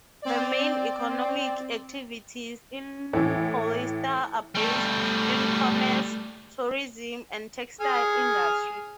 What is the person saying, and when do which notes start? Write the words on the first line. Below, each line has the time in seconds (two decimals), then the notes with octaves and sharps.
The main economic activities in Paulista are based in commerce, tourism and textile industry.
0.22 C4 D5
3.13 A2 E3
4.55 G3 A3
7.81 G#4 G#5 F6